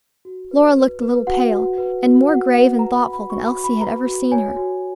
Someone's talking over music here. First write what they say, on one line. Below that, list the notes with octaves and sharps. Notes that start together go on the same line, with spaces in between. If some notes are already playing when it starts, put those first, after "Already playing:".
Lora looked a little pale, and more grave and thoughtful than Elsie had ever seen her.
F#4
B4
B4
B4
F#4 F#5
F#4
B4
F#4
F#4 F#5
B4 F#5
B4 A#5
B5
F#4
B5
F#4 C#6
B5
F#4
B5
B4 A#5
F#4
C#5 G#5
F#4